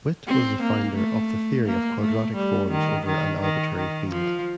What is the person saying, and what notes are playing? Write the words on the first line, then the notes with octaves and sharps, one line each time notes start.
Witt was the founder of the theory of quadratic forms over an arbitrary field.
C4
A#3
A3
A#3
A3
G3
D#3
D#3
D#3
D#3
F3